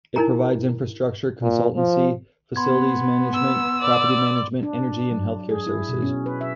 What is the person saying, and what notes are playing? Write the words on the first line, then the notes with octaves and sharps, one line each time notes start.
It provides infrastructure consultancy, facilities management, property management, energy and healthcare services.
D#4 E4 A#4 G#5 A#5
A#2
F3
B3 B5 C6 G#6
E6
D5
D4
F#3
G#4
E4
B2
C#4
B4
E5